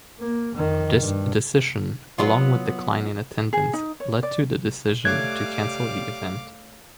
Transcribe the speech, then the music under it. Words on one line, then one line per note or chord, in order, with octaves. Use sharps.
This decision, along with declining attendance, led to the decision to cancel the event.
A#3
F2 D#3
G2
F#3 B3 F4
G#4
D#4
C#5
D5
G3 A3 C#5 F5 D6 F#6 G#6